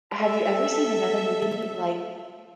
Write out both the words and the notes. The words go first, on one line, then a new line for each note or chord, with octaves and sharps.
have you ever seen another movie like
A4 E5